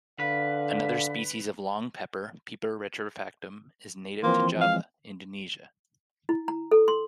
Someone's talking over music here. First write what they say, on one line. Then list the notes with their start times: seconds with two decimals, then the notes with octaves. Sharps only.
Another species of long pepper, "Piper retrofractum", is native to Java, Indonesia.
0.20 D3 B4 F5
4.23 E3 F3 A#3 C4 C6
4.61 G#3 F5
6.29 E4
6.48 A#5
6.71 A4
6.88 C6